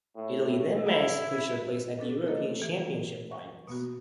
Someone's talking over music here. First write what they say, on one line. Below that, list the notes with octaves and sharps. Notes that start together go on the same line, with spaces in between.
Italy then managed to clinch their place at the European Championship finals.
A2
E4
C#4 D4 A4 B4
A3 A#3 A4 C#5 D#5
E3
C#6
B2 A#3 B3 F#4